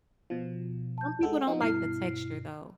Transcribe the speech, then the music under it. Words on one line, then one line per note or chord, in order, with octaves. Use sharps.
some people don't like the texture though,
B2 F3
A5 G6
G#3 A4 F#5
F3 B3 D#4 D#5
G2 B2 E4 F6 C7